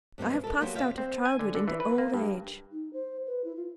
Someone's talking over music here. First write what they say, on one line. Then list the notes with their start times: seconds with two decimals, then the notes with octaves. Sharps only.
I have passed out of childhood into old age.
0.18 G2 C3 E3 G#3
0.44 A4 A#4
0.61 F#3 A#3 B3 G4 C5
0.75 C3 C5 D5 E5 F5 G5
0.98 C4
1.25 G#5
1.39 D3
1.55 D3
1.68 E3
1.80 B4
1.98 A#3
2.14 G2
2.72 D#4
2.93 C5
3.27 B4
3.44 E4
3.56 F4